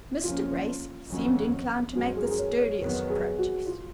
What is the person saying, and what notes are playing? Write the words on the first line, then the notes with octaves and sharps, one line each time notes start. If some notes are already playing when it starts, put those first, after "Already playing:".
Mr. Gracie seemed inclined to make the sturdiest protest.
F2 F3 A#3 C#4 F4
F2 D#3 F#3 C#4
F#2 F3 G#3 C#4 F#4
G#4
A#4
G#4
C#5
C#5
F2 D#3 F#3 B3 A#4
G#4
F#4
F4